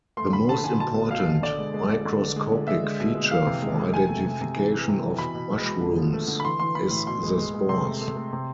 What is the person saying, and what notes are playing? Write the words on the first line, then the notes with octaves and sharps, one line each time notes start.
The most important microscopic feature for identification of mushrooms is the spores.
A3 C6
D3 B5
D3 A5
D3 G#5
B2 A5
B2
B2 F5
B2
D3 D5
G#3
G#3
D3
D3
D3
G#3
D3
G#3 E5
G#3
B2
G#3
E3 F5
C3
G#3
G#3
C3 G#5
A3
C3
C3
E3
E3
C3
E3
B2 B5
B2
G#3
B2
D3
F3
A3
D3
B5
E3 C6
E3 C6
E3 B5
A2
B2 C6
G#3
G#3
G#3
C3 C6
A3
A3
A3
C3